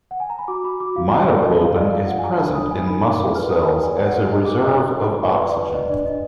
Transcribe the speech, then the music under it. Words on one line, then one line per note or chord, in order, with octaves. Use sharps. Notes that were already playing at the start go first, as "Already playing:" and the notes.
Myoglobin is present in muscle cells as a reserve of oxygen.
F#5
G#5
A#5
B5
F#4 D6
F#4 B5
F#4 D6
F4 F5
F4 D#5
D5
F4 D#5
G#4 F5
D5 D#5
D5 F5
F4 F#5
G#5
F4 A#5
D4 B5
D4 D#6
D4 G#5
D#4 B5
A#4 D6
A#4
B4 F6
B4 D#6
B4 B5
D5 G#5
D5
F#5
A#4
D4 D#5
G#4 D6
D4 D#5
A#4
D4
F4
B4
D5
B4
D5 D#5
D4 D5
D4 D#5